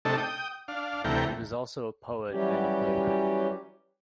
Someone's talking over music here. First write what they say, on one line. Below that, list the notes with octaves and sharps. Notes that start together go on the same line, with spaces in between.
He was also a poet and a playwright.
C3 A3 D4 D#4 A4
G5 D#6
D4 F5
D2 C3 E3 A3 G5 A#5
E3 F#3 G3 C#4 G4